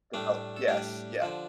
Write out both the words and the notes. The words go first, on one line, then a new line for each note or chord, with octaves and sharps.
put up yes, yeah,
A2 G3 A3 D4
A4
A2 G3 D4 G4
D3 F3